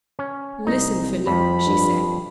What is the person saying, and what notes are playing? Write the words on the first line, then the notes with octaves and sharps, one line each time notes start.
"Listen, Philip," she said.
C#4
C2 D#4
F2 F3 B5
G2